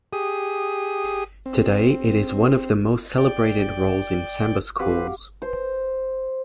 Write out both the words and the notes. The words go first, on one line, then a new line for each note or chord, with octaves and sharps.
Today it is one of the most celebrated roles in samba schools.
G4 G#4 D#6
C4
D5 G5
C4 F#4 G4 B4 F5
C5